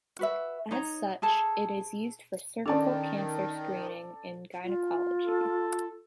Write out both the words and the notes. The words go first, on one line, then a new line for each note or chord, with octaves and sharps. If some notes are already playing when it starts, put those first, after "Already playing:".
As such, it is used for cervical cancer screening in gynecology.
F#4 B4 E5
D#4 C#5 A#5
G#4 A4 A5
D#3 C#4 D4 A4 D5 A5
F4
A4